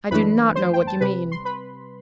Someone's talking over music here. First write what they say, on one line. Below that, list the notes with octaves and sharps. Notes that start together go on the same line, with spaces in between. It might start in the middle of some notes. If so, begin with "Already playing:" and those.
"I do not know what you mean."
F#2 E3 A3 D4 B4 B5
C5 C6
G5
A5
C3 G3 C4 B4 B5
C6
B4 B5